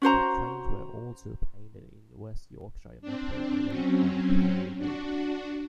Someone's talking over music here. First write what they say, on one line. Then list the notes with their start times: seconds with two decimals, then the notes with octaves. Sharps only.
The trains were also painted in West Yorkshire Metro maroon and cream livery.
0.02 C#4 F#4 C5 A#5
3.02 C4 D4
3.69 F#3 C4 C#4
4.78 D4 F#4